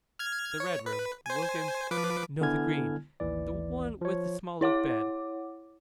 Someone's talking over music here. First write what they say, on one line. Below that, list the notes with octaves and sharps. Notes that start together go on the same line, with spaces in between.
The red room, Wilkins,--no, the green--the one with the small oak bed.
F6 G#6
C#5
B4
C5 G#5
F3 B4 D6
D3 B3 E4 G#5 F6 G#6
A1 D#2 E3 D5
F3 C#5
E4 C#5 F#5 D6